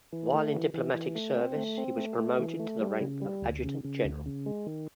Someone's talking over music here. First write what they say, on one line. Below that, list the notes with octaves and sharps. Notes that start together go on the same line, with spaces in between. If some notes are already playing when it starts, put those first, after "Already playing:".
While in diplomatic service he was promoted to the rank of Adjutant General.
E3
A3
E3
E3
E3
A3
C4
A3
C4
A3
A3
E3
A3
G3
C#3
G3
D2
C#3
C#3
D2
C#3
G#3
D#3